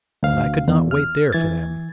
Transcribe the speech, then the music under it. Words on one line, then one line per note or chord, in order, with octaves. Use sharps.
But I could not wait there for them.
D2 F5
E2
F6
E3 G#6 A6